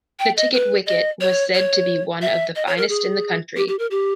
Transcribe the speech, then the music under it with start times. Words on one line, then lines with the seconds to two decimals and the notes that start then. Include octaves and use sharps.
The Ticket Wicket was said to be one of the finest in the Country.
0.20 G5
0.37 D#5
0.54 B4
0.86 D#5
1.21 C#5
1.55 C#5
2.22 E5
2.56 D#5
2.67 C#5
2.78 A#4
2.89 G#4
3.57 G4
3.68 G4
3.79 A#4
3.91 G4